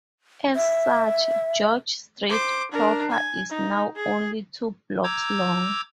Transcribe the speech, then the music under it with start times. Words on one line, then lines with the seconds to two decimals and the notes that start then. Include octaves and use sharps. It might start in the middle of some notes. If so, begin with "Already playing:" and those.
As such, George Street proper is now only two blocks long.
0.56 E5
2.29 C5 D6
2.71 D4 A#4
3.10 G#5
3.50 D#4
3.96 G#4
5.04 A#5 D6 E6 G6 G#6